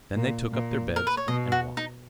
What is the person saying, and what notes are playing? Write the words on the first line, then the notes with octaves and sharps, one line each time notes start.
Then they took up their beds and walked.
A#2
A#2
A#4
B4
C#5
B2 D#5
F#4
D#4